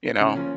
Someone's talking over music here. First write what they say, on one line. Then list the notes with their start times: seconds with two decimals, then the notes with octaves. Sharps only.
You know?
0.21 C#3
0.36 F3 A#3 C#4